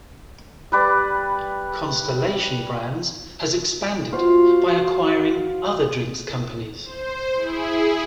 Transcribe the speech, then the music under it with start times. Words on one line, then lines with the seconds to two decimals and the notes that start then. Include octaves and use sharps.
Constellation Brands has expanded by acquiring other drinks companies.
0.72 G3 B4 D5
4.13 F4 F#4 C5 F5
6.84 C5
7.34 E4 G#4